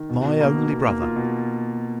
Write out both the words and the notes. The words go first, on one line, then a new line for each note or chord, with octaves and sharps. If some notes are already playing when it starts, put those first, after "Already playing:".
My only brother!
Already playing: D#3
B2
B2
A#3
B2
B2
A#3
F4
B2